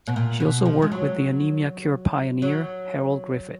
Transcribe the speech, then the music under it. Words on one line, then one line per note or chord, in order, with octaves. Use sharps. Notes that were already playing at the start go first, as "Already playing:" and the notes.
She also worked with the anaemia cure pioneer Harold Griffith.
B2
A#2
B2
F3
G#3
F#3
F#3